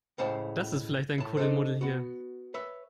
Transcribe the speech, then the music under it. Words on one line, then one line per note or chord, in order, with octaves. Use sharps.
Das ist vielleicht ein Kuddelmuddel hier.
C#2 A2 C#3 C5 A5
A2 A5
D4 D#4 F4 A4 C5
B3 F#4
B4 C#5 E5